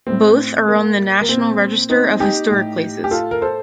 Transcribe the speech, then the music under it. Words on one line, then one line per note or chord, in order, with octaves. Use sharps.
Both are on the National Register of Historic Places.
A2 C4
A#3
A#3
A#2 C4
C4 D#4
D#4 G4
A2
G4
F4 A4
A#4
A4 C5